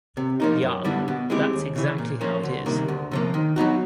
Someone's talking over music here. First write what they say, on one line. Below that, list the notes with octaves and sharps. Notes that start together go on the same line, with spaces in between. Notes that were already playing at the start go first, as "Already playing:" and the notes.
Ya that's exactly how it is.
C3
F3 A#3 D#4
F#2
D3 G3 B3 E4
B2
G#3 C4 E4 G4
D#2
C#3 E3
A#2
F3 A#3 C#4
D2
C3 D#3 G3 A#3
D2
C3 F3 A#3
D#3
F#3 B3 D#4 F#4